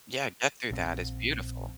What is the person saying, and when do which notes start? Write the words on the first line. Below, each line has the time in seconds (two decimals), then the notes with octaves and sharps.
Yeah, get through that is beautiful.
0.71 A#1 D3 C4